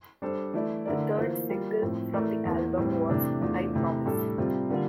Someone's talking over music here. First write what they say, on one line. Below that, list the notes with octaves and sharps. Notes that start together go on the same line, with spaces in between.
The third single from the album was "I Promise".
G3 D4 A4 C5
E3 A3 E4 A4 D5
D3 A3 E4 A#4 D5
E3 A#3 F4 C5
G3 A#3 F4
A2 F3 C4
E3 A3 E4 A#4 D5
E2 E3 A#3
A2 E3 G3 C4
C3 E3 A3 D4
E2 E3 A3 D4 F4
C3 E3 A3
A2 G3 D4 A4
C3 G3 C4 F4
D3 G3 A#3 F4